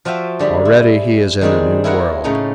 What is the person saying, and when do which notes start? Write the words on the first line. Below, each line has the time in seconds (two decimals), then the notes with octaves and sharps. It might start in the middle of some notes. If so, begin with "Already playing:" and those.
Already he is in a new world.
0.05 F3 F4 F#4 E5 G5
0.39 D3 G3 G#4 B5
0.65 E4
1.41 D#3 G3 G#3 C4 D#4 G#4
1.84 E4 F4 G#4 A#4 C#5 F#5
2.24 A2 C#3 A3 C#4 D#4